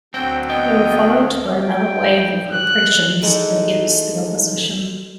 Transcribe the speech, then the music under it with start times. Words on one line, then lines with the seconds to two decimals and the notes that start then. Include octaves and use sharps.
They were followed by another wave of repressions against the opposition.
0.14 D2 F#3 C4 G5
0.50 B3 D#5 G5
1.61 G5
2.52 F#6
3.22 E3 G#3 D#4 A4 E5